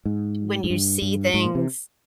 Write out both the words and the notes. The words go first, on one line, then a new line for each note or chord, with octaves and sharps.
when you see things
G#2
G#2
G2
G2
G#2
A#2
C3